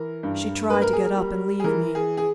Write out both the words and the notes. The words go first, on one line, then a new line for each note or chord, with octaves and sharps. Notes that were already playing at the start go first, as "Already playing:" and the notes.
She tried to get up and leave me.
Already playing: E3 A#4
G2
A#3 B4
A#4
G#4
A#4
G3
G#4
E3 A#4
G#4
G#4